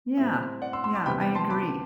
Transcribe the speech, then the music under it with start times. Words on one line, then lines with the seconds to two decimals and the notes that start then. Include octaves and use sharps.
Yeah. Yeah, I agree.
0.17 A2 G3 C4 E5
0.62 D5 F#5
0.73 C6 E6
0.84 C6 E6
0.95 B5 D6
1.05 E2 C3 G3 B3 G5 B5
1.21 G5 B5
1.35 A5 C6
1.50 B5 D6